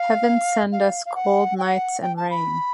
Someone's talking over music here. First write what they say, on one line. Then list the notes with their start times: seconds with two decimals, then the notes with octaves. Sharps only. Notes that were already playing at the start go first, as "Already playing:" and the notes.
Heaven send us cold nights and rain!
Already playing: F5
0.72 F5
1.06 F5
1.15 F#5
1.59 G5
1.63 F#5
2.02 G5
2.17 A5
2.31 B5